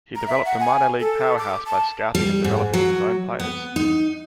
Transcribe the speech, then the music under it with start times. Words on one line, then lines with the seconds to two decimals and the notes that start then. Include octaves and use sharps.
He developed a minor league powerhouse by scouting and developing his own players.
0.15 A#5
0.27 E5
0.45 F#5
0.60 G#5
1.00 A4
1.38 D6
1.66 A5
2.15 G3
2.44 G#2
2.73 F#3
3.39 B3
3.76 D#4